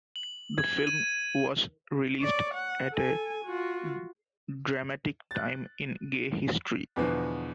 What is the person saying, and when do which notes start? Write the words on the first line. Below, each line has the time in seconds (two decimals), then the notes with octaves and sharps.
The film was released at a dramatic time in gay history.
0.16 F#7
0.58 G#6
0.87 D#7
2.20 C#5 D5
2.54 F#5
2.92 A4 G#5
3.45 F4 F#4
5.31 F#6 A6
6.96 E2 B2 D3 E3 F3 B3